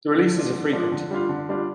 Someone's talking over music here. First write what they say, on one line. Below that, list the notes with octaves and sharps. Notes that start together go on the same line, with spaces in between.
The releases are frequent.
D3
F3 G#3 D4 F4
D3
F3 G#3 D4 F4
D3
G3 D4 F4
D3
G3 D4 F4